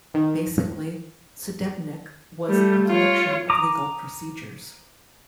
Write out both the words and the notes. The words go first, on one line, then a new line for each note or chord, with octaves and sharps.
Basically, "Sudebnik" was a collection of legal procedures.
D#3
G3 A3
F4 C#5
A#5 D6 D#6